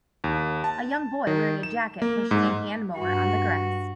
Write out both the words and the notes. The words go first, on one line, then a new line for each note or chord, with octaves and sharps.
A young boy wearing a jacket pushing a hand mower on the grass.
D#2
A5
D#3
E7
A#3
G#2
G2 F#4